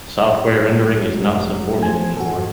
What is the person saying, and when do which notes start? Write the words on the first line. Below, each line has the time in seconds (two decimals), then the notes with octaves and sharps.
Software rendering is not supported anymore.
0.21 G#2 F#3
0.77 G#3
1.14 F1 F#3
1.79 F3 A3 G#5
2.17 G#2 D#3 F#4 A4